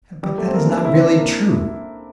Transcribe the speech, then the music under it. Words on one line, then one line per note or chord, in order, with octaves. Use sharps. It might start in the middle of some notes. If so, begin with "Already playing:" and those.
But that is not really true.
G3
A3
C4
A#3
D4
E4
C4
D4
A#3